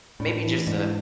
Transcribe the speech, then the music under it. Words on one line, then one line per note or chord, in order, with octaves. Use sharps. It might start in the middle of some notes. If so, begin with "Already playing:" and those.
maybe just a
A2 D4
E3
G#2 D4